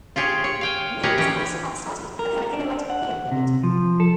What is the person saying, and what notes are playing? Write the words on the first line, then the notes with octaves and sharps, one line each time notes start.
The nue is thought to have started appearing in the late Heian period.
F4 G4 G#4 C#5
C#5
F5 G5 G#5
G4 G#4 A#4 B4 C#5 D#5
E3 C#4 G4
A#4
D4
F#5
C3
F3
A4